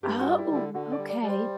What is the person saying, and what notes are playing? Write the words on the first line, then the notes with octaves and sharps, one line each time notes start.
Ah, oh, okay.
G2 G4
F#4
G3
E4
D3 E4
D3 F#4
D5
G3
D5
G3
C5